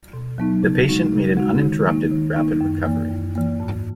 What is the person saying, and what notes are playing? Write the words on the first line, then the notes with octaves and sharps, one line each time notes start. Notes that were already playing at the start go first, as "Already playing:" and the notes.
The patient made an uninterrupted, rapid recovery.
B2
F#3 B3 D#4
C#3
G#3 D#4 F#4
C#3
G#3 D#4 F#4
D#3
A#3 D#4
D#3
A#3 D#4
F#2
E3 A#3
F#2
E3 A#3
G#2